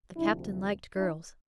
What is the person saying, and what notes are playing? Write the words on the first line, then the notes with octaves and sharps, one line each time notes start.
The Captain liked girls.
D2 C3 F3 D4 E4
D4 E4